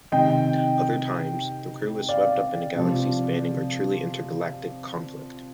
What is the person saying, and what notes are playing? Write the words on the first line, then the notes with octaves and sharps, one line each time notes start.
Other times, the crew is swept up in a galaxy-spanning or truly intergalactic conflict.
C3 D#3 D#5 G5
D5 F5
C3 F3